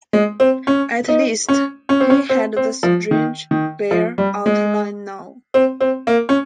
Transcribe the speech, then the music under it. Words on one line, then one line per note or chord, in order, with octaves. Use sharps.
At least he had the strange, bare outline now.
G#3
C4
C#4
D#4
C#4
C#4
C4
C#4
C4
C4
F3
D#3
D#3
F3
G3
G#3
C4
C4
A#3
C#4